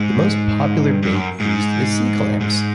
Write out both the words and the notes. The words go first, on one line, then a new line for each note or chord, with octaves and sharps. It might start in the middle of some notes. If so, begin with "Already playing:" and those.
The most popular bait used is sea clams.
Already playing: G#2
G2
G2
F#2
G#2
G#2